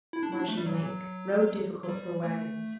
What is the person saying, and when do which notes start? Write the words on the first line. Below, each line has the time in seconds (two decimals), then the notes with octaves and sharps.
Marshy Lake.--Road difficult for wagons.
0.13 E4
0.23 D4
0.31 E4
0.40 D4
0.48 A3
0.57 G3
0.66 F#3
0.74 E3
0.84 F#3
1.83 F#3
1.89 G3
2.24 A3